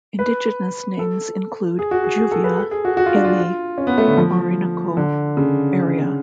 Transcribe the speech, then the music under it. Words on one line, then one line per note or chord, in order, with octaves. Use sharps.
Indigenous names include "juvia" in the Orinoco area.
B4
A4
G#4
F#4
G#4
G#4
A4
B4
A4
G#4
F#4
F#4
F4
D4
F4
C#4
B3
A3
D3
F3
D3
C#3